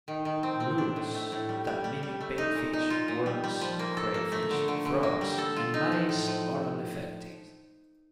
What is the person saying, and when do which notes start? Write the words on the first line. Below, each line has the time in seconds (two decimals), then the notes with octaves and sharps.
Lures that mimic baitfish, worms, crayfish, frogs, and mice are all effective.
0.08 D#3
0.25 D#3
0.43 C4
0.60 C4
0.78 D4
0.96 A2
1.14 A3
1.32 A2
1.49 G3
1.67 G3
1.84 G3
2.03 G3
2.21 A3
2.38 D#4
2.55 A#2
2.73 D#4
2.90 F4
3.08 A#2
3.26 G3
3.44 G3
3.61 F3
3.79 A#3
3.97 A4
4.14 A#3
4.32 A3
4.51 D3
4.68 D3
4.85 D3
5.03 A#3
5.21 G3
5.38 A4
5.56 F4
5.74 D#4
5.92 F3
6.09 A2
6.27 F3